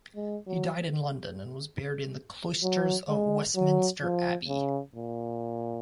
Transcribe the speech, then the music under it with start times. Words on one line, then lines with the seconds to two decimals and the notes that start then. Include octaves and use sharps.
He died in London, and was buried in the cloisters of Westminster Abbey.
0.16 G#3
0.47 F#3
2.63 F#3
3.09 G#3
3.56 F#3
4.02 F3
4.48 C#3
4.96 A#2